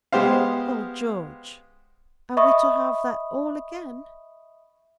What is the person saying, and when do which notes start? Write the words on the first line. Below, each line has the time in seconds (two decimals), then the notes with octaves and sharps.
"Oh George, are we to have that all again?"
0.12 G#3 B3 G4 C5 F5
2.37 D#5 E5 B5 C#6 D#6